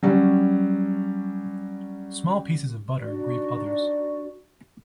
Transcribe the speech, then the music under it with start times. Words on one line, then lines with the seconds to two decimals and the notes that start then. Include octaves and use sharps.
Small pieces of butter grieve others.
0.03 F#3 G3 C#4
3.00 D4 D#4 F#4 D5